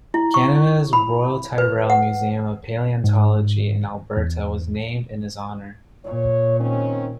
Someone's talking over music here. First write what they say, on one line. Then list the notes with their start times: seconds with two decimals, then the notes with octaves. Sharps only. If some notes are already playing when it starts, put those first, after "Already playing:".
Canada's Royal Tyrrell Museum of Palaeontology in Alberta was named in his honour.
0.14 E4
0.34 C#6
0.93 B5
1.58 B4
1.90 F#5
3.04 G#2
4.17 E2
6.05 A#2 C#5
6.60 D#3 C4 C#4